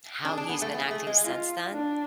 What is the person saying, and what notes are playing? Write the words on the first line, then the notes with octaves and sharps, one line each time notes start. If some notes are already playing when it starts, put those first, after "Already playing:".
how he's been acting since then.
D4 G#4
D4
B3
A3
B3 G#4
A3
G#3
F4
D4